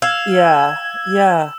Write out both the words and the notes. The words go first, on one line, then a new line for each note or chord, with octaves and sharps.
Yeah. Yeah.
F5 E6 G#6 E7